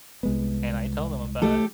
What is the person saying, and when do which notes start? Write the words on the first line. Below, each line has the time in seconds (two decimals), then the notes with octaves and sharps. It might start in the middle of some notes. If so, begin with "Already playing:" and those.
and I tell them about it
0.23 C2 G#3 B3
1.42 A3 G4 A4